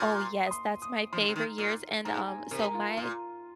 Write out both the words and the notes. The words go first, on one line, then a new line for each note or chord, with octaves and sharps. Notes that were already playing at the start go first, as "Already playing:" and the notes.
Oh, yes, that's my favorite years and, um, so my
Already playing: A#2
C6
D#6
C6
D#6
F3 C6
D#3
C3
D#3
A#2
G#2 A#5
G#5
C3 A#4
F4
A#2 F4